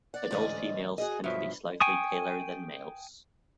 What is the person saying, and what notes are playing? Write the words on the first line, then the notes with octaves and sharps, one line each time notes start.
Adult females tend to be slightly paler than males.
D5 F#5
A1 D2 G#2 C#4 D#5
F#4 G#4 D#5
G2 B2 F3 F#3 E5
G5 G#5 C#6 D#6